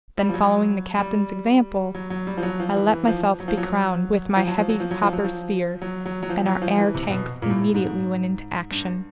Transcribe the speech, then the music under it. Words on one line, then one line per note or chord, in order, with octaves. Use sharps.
Then, following the captain's example, I let myself be crowned with my heavy copper sphere, and our air tanks immediately went into action.
G3
F3
F#3
G3
F#3
F#3
G3
F3
F#3
F3
E3
E3
F3
F#3
F3
F#3
F3
F#3
F3
F#3
F3
F#3
F3
F#3
F3
F#3
F#3
F#3
F3
F#3
F3
E3
C3
B2
A#2
A2
G#2
G2